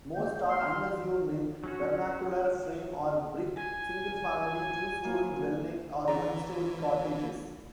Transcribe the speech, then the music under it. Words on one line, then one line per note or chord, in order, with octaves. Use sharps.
Most are unassuming, vernacular, frame or brick, single family, two-story dwellings or one-story cottages.
A#3 G6
C6 F6
F#3 C#4 F#4
G#5
F#3 A#3 E4
E3 D5 A#5